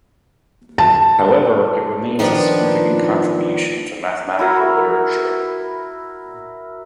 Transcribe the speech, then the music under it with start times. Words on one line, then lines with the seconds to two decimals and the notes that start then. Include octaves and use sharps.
However, it remains a significant contribution to mathematical literature.
0.78 A5
2.19 D#3 F3 B3 D4
4.39 E4 F#4 A#4 B5